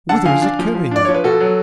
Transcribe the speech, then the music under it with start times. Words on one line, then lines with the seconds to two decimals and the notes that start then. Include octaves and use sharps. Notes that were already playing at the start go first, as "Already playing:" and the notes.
Whither is it carrying me?
0.09 D3 F#5 A5
0.25 F3 F5 G#5
0.42 D4
0.59 F3
0.74 F3
0.91 D4 D5
1.05 F3 C#5
1.14 B4
1.24 B2 F#4 A4
1.40 F#3